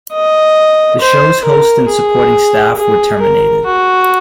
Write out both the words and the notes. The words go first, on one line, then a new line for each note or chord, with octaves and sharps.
The show's host and supporting staff were terminated.
D#5
C5
A#4
G#4
G#4
A#4
F#4